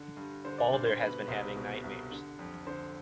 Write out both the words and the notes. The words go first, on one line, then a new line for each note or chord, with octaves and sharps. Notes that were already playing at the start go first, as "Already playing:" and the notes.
Baldr has been having nightmares.
Already playing: D3
G2
D3 C5
D5
G2 C5
C5
B2 B4
C2 C5
B2
C2
D3
F2
D3 C5